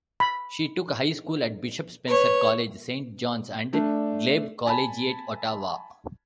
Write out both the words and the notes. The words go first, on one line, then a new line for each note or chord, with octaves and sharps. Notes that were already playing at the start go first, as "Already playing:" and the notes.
She took high school at Bishop Spencer College, Saint John's, and Glebe Collegiate, Ottawa.
B5
B4 C#5
A3 D4 D5
G#5 A5 B5